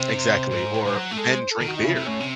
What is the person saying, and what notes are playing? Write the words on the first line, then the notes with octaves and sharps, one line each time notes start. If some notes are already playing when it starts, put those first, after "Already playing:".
Exactly, or men drink beer.
Already playing: C3 C5
G#2
A2
G#3
F#3
A3
G#3 A4
C5
A4
D#3
F#4
D#4
C#3 E4
C3
A2 C#4
C3